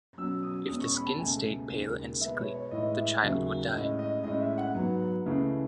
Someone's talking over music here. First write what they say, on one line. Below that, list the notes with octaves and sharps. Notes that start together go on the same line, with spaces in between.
If the skin stayed pale and sickly, the child would die.
B2 F#3 C#4 E6
D#6
E2 B2 G#3 C#4 D#6
C#6
B5
A5
C#2 B2 A3 G#5
D#2 C#3 G#3
B2 G#3 B3 E5
C#5
C#5
A2 E3 G#3 D#5
E5
D#2 C#3 F#3 E5
A2 G#3 C#4 D#5
D#5
A2 G#3 C#4 D#5
E5
F#5
G#2 F#3 B3
C#2 C#3 E3 A3